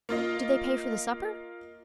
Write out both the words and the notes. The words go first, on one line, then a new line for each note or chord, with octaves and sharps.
"Did they pay for the supper?"
A#3 F4 D#5